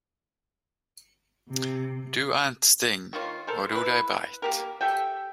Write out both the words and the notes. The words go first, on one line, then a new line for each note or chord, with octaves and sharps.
Do ants sting, or do they bite?
C3
D#3 A#3 F4 C#5
A4 A#4 C5
E4 B4
A#3 G4 A#4
G4 A4 E5 G5